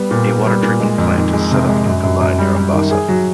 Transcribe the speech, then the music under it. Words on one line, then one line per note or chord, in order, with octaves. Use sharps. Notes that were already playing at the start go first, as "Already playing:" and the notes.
A water treatment plant is set up in Kulai near Ambassa.
Already playing: G3 B3
A#2
B3
G3
A#2
G#3
F2
D#3
G#3
C3
G#3
F#2
F#2
F#2
G3
G3
D#3
G#4
F#3